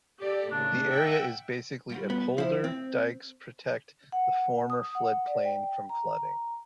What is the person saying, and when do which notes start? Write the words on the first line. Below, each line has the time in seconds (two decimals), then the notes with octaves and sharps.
The area is basically a polder, dikes protect the former floodplain from flooding.
0.20 G4 A4 D5
0.52 D#2 A2 C#3 D4
0.88 E5 F#5 G5
1.89 G3 F4 F#4
2.10 B3
2.38 F3 E4 C5
2.64 C4
4.12 F#5
4.70 D#6
4.95 F#5
5.27 D5
5.45 G5
5.89 A#5